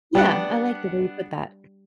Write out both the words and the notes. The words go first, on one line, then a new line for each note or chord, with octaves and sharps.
Yeah. I like the way you put that.
G3 B3 D4 F#5